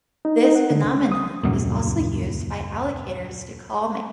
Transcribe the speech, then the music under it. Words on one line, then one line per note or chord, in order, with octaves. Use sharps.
This phenomenon is also used by alligators to call mates.
D#4
D#4
F#5
D3
C#2
D#6
D#1 C#2 F#2 A#2